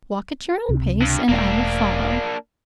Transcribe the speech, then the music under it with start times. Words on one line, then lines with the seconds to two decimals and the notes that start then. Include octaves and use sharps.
Walk at your own pace, and I will follow.
0.69 C#2 C3
1.02 G2
1.29 E1 A3 A#3 D4